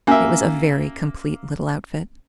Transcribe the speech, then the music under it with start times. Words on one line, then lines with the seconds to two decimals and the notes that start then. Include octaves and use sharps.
It was a very complete little outfit.
0.07 A#3 C#4 F#4 E5 G#5